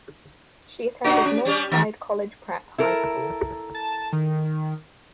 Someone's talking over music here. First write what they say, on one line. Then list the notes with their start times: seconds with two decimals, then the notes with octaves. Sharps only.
She attended Northside College Prep high school.
1.04 C3 D4 F#4
1.25 C#4
1.45 G3 C#4 G4
1.71 D#3 B3 D#4
2.78 E4 A4 A#4
3.75 A5
4.13 D#3